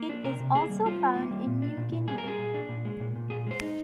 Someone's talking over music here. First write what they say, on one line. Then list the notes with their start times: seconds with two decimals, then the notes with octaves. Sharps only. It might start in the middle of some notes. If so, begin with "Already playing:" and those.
It is also found in New Guinea.
Already playing: A#3
0.09 D4
0.24 C3 A#4
0.40 C3
0.55 A#3 G#4
0.70 G3
0.86 G3 F4
1.00 G3
1.16 A#3
1.31 G3
1.47 A#2
1.62 D4
1.77 A#2
1.92 A#2
2.08 G3 G#4
2.18 A#4
2.23 G3 G#4
2.38 A#2
2.54 D4
2.69 A#2
2.85 G#3
3.00 A#2
3.16 A#2
3.30 A#2 G#4
3.47 G#3 C5
3.61 D#4